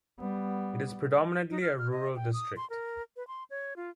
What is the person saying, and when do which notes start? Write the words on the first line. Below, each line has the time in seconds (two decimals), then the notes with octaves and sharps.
It is predominantly a rural district.
0.20 G3 B3
1.50 D#4
1.62 F6
1.78 F6
1.91 D#5
2.16 G5
2.33 D#6
2.57 C6
2.70 A#4
3.16 B4
3.28 C6
3.50 C#5
3.76 F4